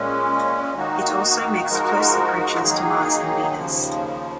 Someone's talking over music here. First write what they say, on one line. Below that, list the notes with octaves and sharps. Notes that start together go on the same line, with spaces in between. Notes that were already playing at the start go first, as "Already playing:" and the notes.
It also makes close approaches to Mars and Venus.
Already playing: A#2 G#3 C#4
D#3 A#3 D#4 F#4
F3 G#3 D#4 F#4 A#4
D#3 F#3 A#3 D#4 G#4
D#2 C#3 F3